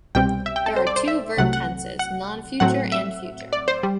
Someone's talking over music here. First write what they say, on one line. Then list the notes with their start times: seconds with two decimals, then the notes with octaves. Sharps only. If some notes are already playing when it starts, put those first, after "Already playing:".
There are two verb tenses: non-future and future.
0.15 C2 B2 G3 C4 G5
0.46 E5
0.56 G5
0.66 A4
0.76 C5
0.87 D5
0.96 C5
1.08 E5
1.37 C2 C3 F#3 A3 F#5
1.53 F#5
1.99 F#5
2.60 A2 F#3 A3 C4 F#5
2.92 E5
3.53 D5
3.68 C5
3.83 G3